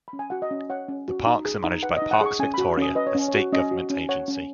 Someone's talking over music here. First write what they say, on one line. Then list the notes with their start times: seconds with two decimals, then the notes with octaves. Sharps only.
The parks are managed by Parks Victoria, a state government agency.
0.08 B5
0.13 C#4
0.19 G#5
0.30 F#4 F#5
0.42 D#5
0.51 C#4
0.70 C#5 F#5
0.88 C#4
1.08 F#4
1.26 D#4
1.45 G#4
1.64 D#4
1.83 B4 F#5
1.97 D#5
2.02 D#4
2.11 F#5
2.21 G#4 C#6
2.39 C#4 G#5
2.54 F#4 B5
2.77 C#4 D#6
2.95 B4 D#5
3.07 C#5
3.15 C#4
3.28 C#5
3.34 F#4
3.52 C#4 D#5
3.71 F#4
3.90 C#4
4.09 C#5 F#5
4.28 C#4